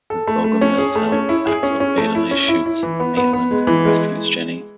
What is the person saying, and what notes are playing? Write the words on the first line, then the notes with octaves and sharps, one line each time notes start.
With Bogomil's help, Axel fatally shoots Maitland and rescues Jenny.
A4
A3
A3
C#4
G#4
A3
C#4
E4
G#4
C#4
C#4
A3
E4
C#4
E4
E4
E3
B3
B3
B3
G#3
E3
G#3